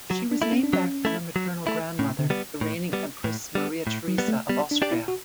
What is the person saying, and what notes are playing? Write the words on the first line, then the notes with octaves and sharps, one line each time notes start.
She was named after her maternal grandmother, the reigning Empress Maria Theresa of Austria.
F#3 F#4
D4
A3 E4
C#4
D4
F#3 C#4
A3 E4
F#3
A3 E4
A2 C#4
D3
G3 B3
A2
G3 B3
A2
G3 B3
A2
F#3
G3 B3
A3
G3 B3
D4
D4 G4 D5
E4
F#4